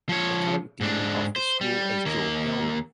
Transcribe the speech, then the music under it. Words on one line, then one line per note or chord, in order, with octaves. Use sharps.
The current dean of the school is Joel Hellman.
F3 C#5
G#2 D4
C5
G3
D#2 A#3